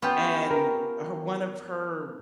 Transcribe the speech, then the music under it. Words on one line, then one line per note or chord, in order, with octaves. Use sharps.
and her one of her
B3 C#4 F4 G4
A#4